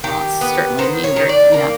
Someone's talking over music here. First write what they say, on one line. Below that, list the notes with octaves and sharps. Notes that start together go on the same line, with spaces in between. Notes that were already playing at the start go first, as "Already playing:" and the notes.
uh, certainly need or yeah
D#3 G4
B3
D#3 C5
C#5
D#3
D5
A#3